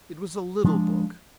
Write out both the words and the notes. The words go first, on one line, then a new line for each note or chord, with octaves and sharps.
It was a little book.
F3 G#3 D4